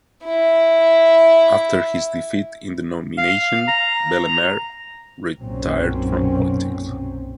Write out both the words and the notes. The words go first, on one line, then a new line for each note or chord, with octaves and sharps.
After his defeat in the nomination, Bellemare retired from politics.
E4 E5
F5
A#5
B1 F#2 A#2 F#3 C4 C#4